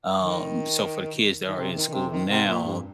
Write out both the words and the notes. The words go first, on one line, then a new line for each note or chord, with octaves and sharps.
Um, so for the kids that are in school now,
D#3
D#3
C3
D#3
D#3
C3
D#3
C3
A#2
G2